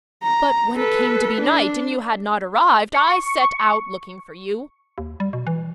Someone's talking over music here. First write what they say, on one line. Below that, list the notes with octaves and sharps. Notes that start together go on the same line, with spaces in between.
But when it came to be night and you had not arrived, I set out looking for you.
A#5
A4 B4
D4
C#6
D#2
G3
B2
E3